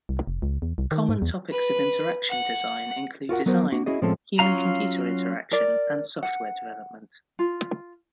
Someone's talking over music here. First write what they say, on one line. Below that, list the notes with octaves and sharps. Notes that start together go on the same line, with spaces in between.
Common topics of interaction design include design, human-computer interaction, and software development.
C2
F1
C#2
E2
C2
D#3
G#2
E2
B4
F#5
F4 F#4 A#4 F#5
F#3 B3 F#4 A#4 C5
A#3 D4 F#4
C#4 E4 F#4 G#4 D#5
A2 F3 G#3 C4 C#4 A4
F#3 C#4 F4 F5 A#5
A#4 D5
F#5
F4